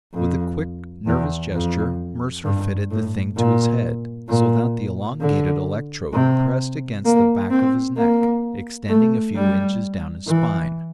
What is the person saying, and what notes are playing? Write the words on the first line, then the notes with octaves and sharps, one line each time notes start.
With a quick, nervous gesture, Mercer fitted the thing to his head, so that the elongated electrode pressed against the back of his neck, extending a few inches down his spine.
F2
E2
F2
G2
A2
A#2
A#2
D3
C3
A#3
C4
A#3
A3
G3
E3